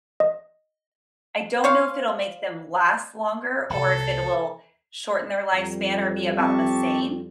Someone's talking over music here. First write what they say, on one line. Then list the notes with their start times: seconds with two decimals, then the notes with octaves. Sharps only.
I don't know if it'll make them last longer, or if it will shorten their lifespan, or be about the same,
0.20 D#5
1.64 C5 C#5 F5
3.70 C2 A4
5.54 F2 G3
6.38 C4 G4 A5 C#6